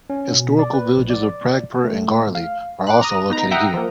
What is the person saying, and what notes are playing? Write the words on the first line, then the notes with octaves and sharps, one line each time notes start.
Historical villages of Pragpur and Garli are also located here.
C#4
B2
D5
B4
A#1
D5
A3
F5
D6 F#6
A#5 D#6
B3 D#4 A#5
E5 F#5 G5 A#5 D#6
F3 A#3